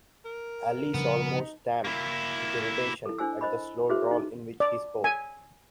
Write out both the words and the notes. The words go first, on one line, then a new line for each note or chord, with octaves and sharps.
Alice almost stamped with irritation at the slow drawl in which he spoke.
A#4
C#3 F3 G3 B3
D#4
A#3 E4
E4 A4
D4 E4 C5 G#5 E6
C5 D#5 B5
E4 F#4 G#4 B4 C5 E5
D#4
D5
G#5